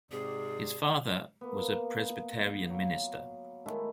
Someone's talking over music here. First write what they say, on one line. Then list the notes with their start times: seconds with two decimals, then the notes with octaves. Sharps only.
His father was a Presbyterian minister.
0.11 G#2 C3 G#4 D5
1.41 A#3 B3
2.65 F#3 F5
3.66 D#3 G#3 A3 E4